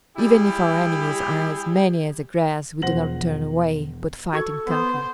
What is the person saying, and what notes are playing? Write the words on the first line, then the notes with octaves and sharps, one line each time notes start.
Even if our enemies are as many as the grass we do not turn away, but fight and conquer.
G3 E4 G4 G#4
E1 F3 C5 F#5 A#6 F#7
F#4 A4 C#6 G#6
B3 C5